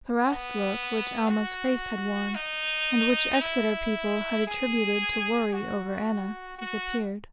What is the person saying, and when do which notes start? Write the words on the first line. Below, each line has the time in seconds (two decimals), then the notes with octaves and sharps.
The harassed look which Alma's face had worn, and which Exeter people had attributed to worry over Anna, disappeared.
0.24 B3
1.29 F#4
2.35 D#4
3.41 E4
4.47 G#4
5.53 F#4
6.59 F#4